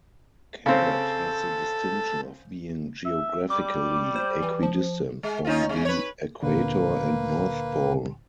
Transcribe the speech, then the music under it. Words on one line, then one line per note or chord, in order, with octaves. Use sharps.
Cadott has the distinction of being geographically equidistant from the Equator and North Pole.
C#3 C4 A4
E5
G3 D6
C5
E3
F3
G#3
C#4 D#4 F4
C#3 G#3
B4 C#5
D2 A#2 D3 A#3 B4